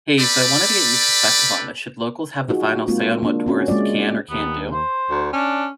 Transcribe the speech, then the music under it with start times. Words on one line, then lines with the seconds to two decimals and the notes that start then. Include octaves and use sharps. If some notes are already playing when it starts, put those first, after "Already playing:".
Hey, so I wanted to get your perspective on this. Should locals have the final say on what tourists can or can't do?
0.19 G4 A4 B4 D5 B5
2.49 D#4 F4 F#4 G#4
2.88 G#3 A#3 C4 F4
3.23 A#3 D4
3.46 C4 C#4 F#4
3.68 G#3 A#3 F4 D5
4.30 D#2 B3
4.73 C5
5.11 D2
5.33 C#4 D4